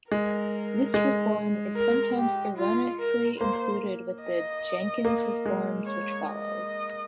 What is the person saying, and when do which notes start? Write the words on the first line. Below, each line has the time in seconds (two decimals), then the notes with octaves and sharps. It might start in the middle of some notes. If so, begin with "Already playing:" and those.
This reform is sometimes erroneously included with the Jenkins reforms which followed.
0.12 G#3 A#4
0.94 G#3
1.76 A#4
2.17 G4
2.57 F4
2.99 A#4
3.40 A#3 C5
4.22 D#5
5.05 A#3
5.46 G#3
5.86 C#5
6.28 D#5